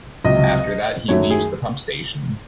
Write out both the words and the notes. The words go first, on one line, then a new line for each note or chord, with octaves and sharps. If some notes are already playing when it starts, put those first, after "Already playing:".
After that he leaves the pump station.
C#2 C3 F#3 D#5
F#2 D#3 F#3 A3 C#5
G#4